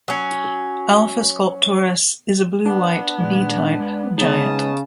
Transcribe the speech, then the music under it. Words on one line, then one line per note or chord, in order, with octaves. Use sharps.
Alpha Sculptoris is a blue-white B-type giant.
F#3 C#4
B3 D4
A#2 D#3 G#3
G#3 B4
C#3 B3 D#4 A5 D#6